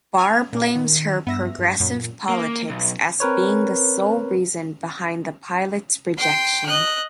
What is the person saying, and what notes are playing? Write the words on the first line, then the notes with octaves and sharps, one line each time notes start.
Barr blames her "Progressive politics" as being the sole reason behind the pilot's rejection.
G#5 F6 G#6
A#2 A#3
D#3
G2 B3 E5 A#6
G2
F#2 A#2
A#3
B1
C4 A#4 B4 C#5
G5 C6
D#5 F#6